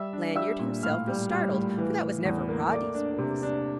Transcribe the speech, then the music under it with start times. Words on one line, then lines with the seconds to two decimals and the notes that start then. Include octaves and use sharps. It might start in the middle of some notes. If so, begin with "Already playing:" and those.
Lanyard himself was startled: for that was never Roddy's voice!
Already playing: G3 E5 E6
0.13 D4
0.36 G3 E5 E6
0.59 A#2
0.83 A2 F5 F6
1.07 G3
1.30 G3
1.53 A2
1.78 E3
2.01 E3
2.25 E2
2.49 A#3
2.71 A3 D5 D6
2.95 D4
3.18 C3
3.43 D4